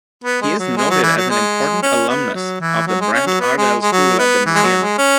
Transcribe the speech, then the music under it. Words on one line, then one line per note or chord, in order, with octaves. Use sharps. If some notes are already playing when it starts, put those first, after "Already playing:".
He is noted as an important alumnus of the Brant-Argyle School at the museum.
B3
G#3
F#3
G#3
F#3
E3
F#3
G#3
C#4
B3
F#3
E3
F#3
G#3
C#4
F#3
B3
G#3
G#3
F#3
B3
E3
G#3
F#3
G#3
C#4